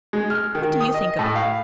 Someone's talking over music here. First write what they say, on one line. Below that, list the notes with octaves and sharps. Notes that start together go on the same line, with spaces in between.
What do you think of it?'
G#3
F6
D#3
D#6
D#5
A2
F5